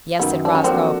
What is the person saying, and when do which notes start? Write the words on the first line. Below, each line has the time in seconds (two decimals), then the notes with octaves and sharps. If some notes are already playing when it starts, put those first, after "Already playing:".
"Yes," said Roscoe.
0.19 F#2 D#3 F#3 B3
0.45 D4
0.55 C#4
0.64 F3 A#3 C4 D4 F#4 A4